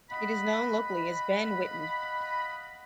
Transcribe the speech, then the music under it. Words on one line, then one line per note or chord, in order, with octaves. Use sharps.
It is known locally as "Ben Whitton".
D#5 F5 F#5 B5